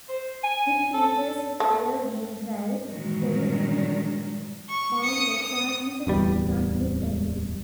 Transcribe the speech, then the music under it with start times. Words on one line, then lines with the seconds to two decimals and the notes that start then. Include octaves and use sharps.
It features rear wheel drive, longitudinal-mounted transmission and front-mid engine.
0.09 C5
0.44 G#5
0.94 A4
1.60 A3
2.87 G2 A#2 D#3 E3 F#3 G#3
4.69 C#6
5.02 D#6 C#7
5.42 D#6
6.07 D1 E2 G3